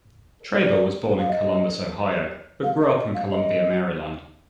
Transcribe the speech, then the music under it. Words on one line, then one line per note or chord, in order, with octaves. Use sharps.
Traber was born in Columbus, Ohio, but grew up in Columbia, Maryland.
D5
F5
D#5
F5
D#5
D#5
F5
D#5